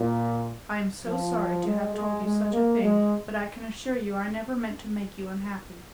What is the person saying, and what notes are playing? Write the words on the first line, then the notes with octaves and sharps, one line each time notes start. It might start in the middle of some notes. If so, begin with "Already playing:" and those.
I am so sorry to have told you such a thing, but I can assure you I never meant to make you unhappy.
Already playing: A#2
F3
G#3
G#3
G#3
A#3
G#3